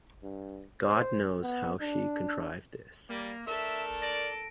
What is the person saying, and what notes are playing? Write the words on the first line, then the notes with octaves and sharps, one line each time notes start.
God knows how she contrived this.
G2
C5
B3
D4
G3 A#3
A3 D4 A4 A#4 E5
D5 A#6 D7